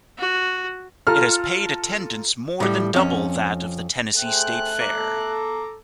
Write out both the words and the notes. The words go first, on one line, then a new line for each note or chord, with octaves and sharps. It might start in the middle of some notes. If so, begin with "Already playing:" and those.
It has paid attendance more than double that of the Tennessee State Fair.
F#4
F4 A4 A#5 F6
A2 G3
F2 C#4
A3 G#4 C5 G5 F#6
A4 A#5 D6